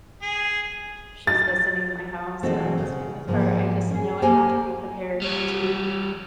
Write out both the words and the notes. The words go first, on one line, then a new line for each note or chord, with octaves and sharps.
she's visiting my house, or I'm visiting with her, I just know I have to be prepared to,
G#4
A6
B2 E3 G#3 A3 C4 A4
C#3
G#2 F3 A#3 B3
C#4 G#4
A#3 G4 A4 C5 G#5
G3 C#5